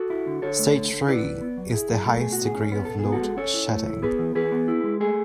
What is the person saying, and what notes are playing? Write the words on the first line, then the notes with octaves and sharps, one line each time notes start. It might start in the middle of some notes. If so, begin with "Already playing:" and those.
Stage three is the highest degree of load shedding.
Already playing: F#4 A4
E4
D3
D3 A4 C#5
A3
D3
D3
E4 B4 D5
E4
B3
F#3
E4 G#4
F#3
A3 A4
B2 G#4
F#4
A2
G#4
C#4
B3 B4
B2 A4
G#4
B3
F#4 A4
G#3
C#4 A4 C#5
E4
A3
E4
B3 G#4 B4
E3
E3 G#4 B4
B3
E4
G#3
A3 G#4